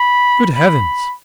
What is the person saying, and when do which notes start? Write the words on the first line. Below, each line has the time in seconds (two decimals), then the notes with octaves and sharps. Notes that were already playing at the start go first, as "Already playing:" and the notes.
Good heavens!
Already playing: B5
0.56 B5